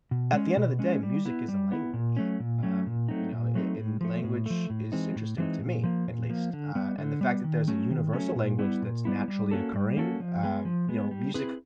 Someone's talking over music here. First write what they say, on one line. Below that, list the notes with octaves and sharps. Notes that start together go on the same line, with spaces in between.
at the end of the day, music is a language, um, you know, a and language is interesting to me, at least, uh, and the fact that there's a universal language that's naturally occurring, um, you know, music
B2
G#3 C#4
B2
G#3 C#4
G3
B3 E4
G3
B3 E4
A#2
F#3 A3 C#4
A#2
F#3 A3 C#4
A#2
F#3 A3 C4 D#4
A#2
F#3 A3 C4 D#4
A2
F3 A3
A2
F3 A3
A2
E3 G#3 C4 D#4
A2
E3 G#3 C4 D#4
A#2
F3 A#3
A#2
F3 A#3
D3
G3 B3
D3
G3 B3
D#3
F#3 A3 C#4
D#3
F#3 A3 C#4
A#2
G3 B3 E4
A#2
G3 B3 E4
G3
A#3 C#4 F#4 A4
G3
A#3 C#4 F#4 A4
F3
G#3 B3
F3
G#3 B3
G3
C4 E4 G#4 B4